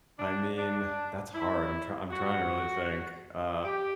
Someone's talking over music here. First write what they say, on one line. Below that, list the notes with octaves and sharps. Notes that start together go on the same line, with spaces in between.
I mean, that's hard. I'm try I'm trying to really think, uh,
D4
D4
E4
F#4
G4